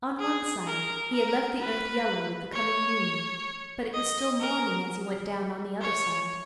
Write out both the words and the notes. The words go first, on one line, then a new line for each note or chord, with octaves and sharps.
On one side he had left the earth yellow with the coming noon, but it was still morning as he went down on the other side.
G#4
A#4
A#4
B4
C#5
D#5
A#4
C#5